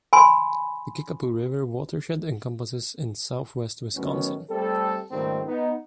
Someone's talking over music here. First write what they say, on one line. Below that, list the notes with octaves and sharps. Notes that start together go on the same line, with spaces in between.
The Kickapoo River watershed encompasses in southwest Wisconsin.
G#5 B5 C6
A2 D#3 F#3 B3 C#4
G3 A3 C4 A4
C#2 G#2 D#3 G3 A3 C4
B3 D#4